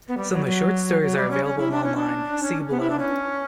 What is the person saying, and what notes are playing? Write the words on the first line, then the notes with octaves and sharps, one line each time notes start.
Some of the short stories are available online; see below.
B3
G3
F#3
F#3
F#3
G3
C#4
C#4
E4
D4
C#4
D4
C#4
B3
E4
D4
C#4